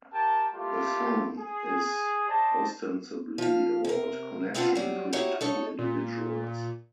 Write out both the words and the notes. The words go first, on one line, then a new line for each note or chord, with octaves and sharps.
The song is ostensibly about "connection" between two individuals.
G4 A#4 G5 A5
G3 A3 A#3 E4 F4 G4
G#4
C5 D5 D#5 A5
F3 F5
C3 A#4
B3 C4 D4 F4 B4 F#5
F#3 G3
D#4 E4 F#4 G4 C#5
D#4 A4 C#5
A#2